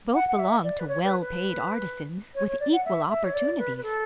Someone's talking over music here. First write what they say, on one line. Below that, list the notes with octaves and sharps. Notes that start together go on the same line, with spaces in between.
Both belong to well-paid artisans with equal opportunities.
F#5
F#5
E5
D5
B4
C#5
B4
B4
C#5
C#5
D5
F#5
E5
E5
C#5
D5
B4
B4
A4